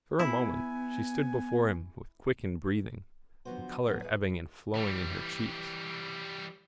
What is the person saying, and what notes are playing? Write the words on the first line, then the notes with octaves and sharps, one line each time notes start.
For a moment she stood before him with quickened breathing, the colour ebbing and flowing in her cheeks.
B3 E4 G#5
D3 F3 F#3 B3 F#4 C5
G#2 F3 F#3 B3 F#5 A#5
E2 G#4 B4
E3 G3